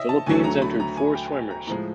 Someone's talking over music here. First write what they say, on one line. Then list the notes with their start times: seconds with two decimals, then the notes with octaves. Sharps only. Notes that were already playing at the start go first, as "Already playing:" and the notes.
Philippines entered four swimmers.
Already playing: C#5 D#5 E5
0.09 A5
0.26 D2 D3 F#3 A3 G#5
0.44 A#5
0.62 B5
0.80 A#5
0.97 G#5
1.15 G5
1.32 G#5
1.51 A#5
1.67 A2 F3 G#3 A#5